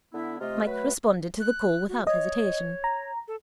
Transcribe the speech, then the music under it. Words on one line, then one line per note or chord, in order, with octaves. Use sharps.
Mike responded to the call without hesitation.
D3 B3 E4
C3 A3 F4 D#5
F#3 A3 B4
F#6
F#4
C#5 D#5
A#5
A4